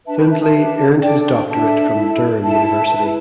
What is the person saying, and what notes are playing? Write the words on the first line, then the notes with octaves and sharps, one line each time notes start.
Findlay earned his doctorate from Durham University.
D4 B4 E5 A5
G5 B5
E5 A5
E5 A5
D4 G4 B4
D4 A4 D5 G5
D5 G5
D4 A4 E5 A5
E4
A4
E4 A4 E5 A5
E4 B4